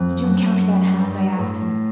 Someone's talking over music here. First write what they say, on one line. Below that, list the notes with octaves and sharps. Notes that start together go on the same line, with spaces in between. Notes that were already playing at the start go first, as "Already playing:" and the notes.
'Did you encounter that hound?' I asked him.
Already playing: F2
F#2
G2
A2